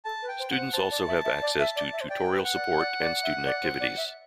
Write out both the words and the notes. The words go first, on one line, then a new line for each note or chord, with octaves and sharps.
Students also have access to tutorial support and student activities.
A4 A5
B4
G5
C5
C5 F#5
C5 A5
D5
E5
E5
D5
E5
D5
E5
C5
D5 G5
B4
F#5
D5
D5
D5
E5
D5
C5
D5
E5